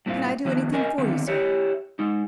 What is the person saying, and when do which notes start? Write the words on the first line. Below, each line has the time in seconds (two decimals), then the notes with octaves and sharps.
"Can I do anything for you, sir?"
0.06 G2 A#2 C4 E4 F4
0.45 D#3 F3 B3
0.73 C#4 A#4 D#5 G#5
0.98 D3 D#3 B3 C4
1.28 E4 G4 C#5
1.99 G#3 D#4